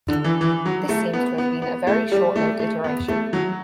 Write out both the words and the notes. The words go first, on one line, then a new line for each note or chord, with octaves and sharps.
This seems to have been a very short lived iteration.
D3
E3
E3
F#3
A3
B3
B3
B3
A3
G3
A3
A3
B3
A3
F#3